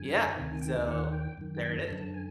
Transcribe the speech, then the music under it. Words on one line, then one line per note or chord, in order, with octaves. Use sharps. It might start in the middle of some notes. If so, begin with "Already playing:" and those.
Yeah. So, there it is.
Already playing: F#2 D3 G#5
D2 C3 D#3 G#5
G5
D#2 D#3 F#5
G5
F#2 D#3
G5
A5
F#2 D3 A5
G#5